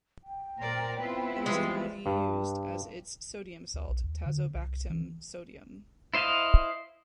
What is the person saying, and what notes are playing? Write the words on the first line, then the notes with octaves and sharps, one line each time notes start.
It is commonly used as its sodium salt, tazobactam sodium.
G5
A#2 A#4 C5 D5
B3 C4 E4 F4 B4
E3 F3 G3 G#3
G2
D2
B1
D#2
D3
C2
E3
E4 C5 D#5 F5